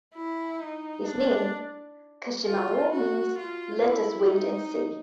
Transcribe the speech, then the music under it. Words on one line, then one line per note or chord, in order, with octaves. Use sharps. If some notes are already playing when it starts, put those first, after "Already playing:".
His name, Kashimawo, means "Let us wait and see".
E4
D#4
D4
F4
F#4
F4
E4
D#4